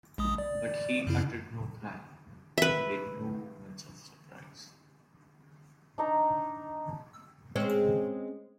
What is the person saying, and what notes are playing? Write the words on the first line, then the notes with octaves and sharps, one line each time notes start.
But he uttered no cry; he made no movement of surprise.
A#1 G#3 D#6
D5
F#2 C#3 E4
B4 E5
D4 D#4 A#5
G#3 C4 C#4